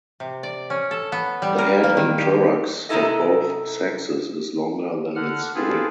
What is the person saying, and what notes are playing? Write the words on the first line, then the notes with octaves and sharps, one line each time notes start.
The head and thorax of both sexes is longer than its width.
C3
D5
C#4
A4
B3
G3
A#4
A#3
D#3
G4
G#2 C3 D#4 E4 A4 D#5
D3 F#5 F6
C4 F4 G#4 A4 B4